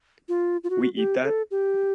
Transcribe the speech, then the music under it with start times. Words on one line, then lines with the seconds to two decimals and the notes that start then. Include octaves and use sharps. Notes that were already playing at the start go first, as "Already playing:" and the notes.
We eat that?
0.29 F4
0.64 F4
0.70 F#4
0.96 G4
1.23 A4
1.51 G4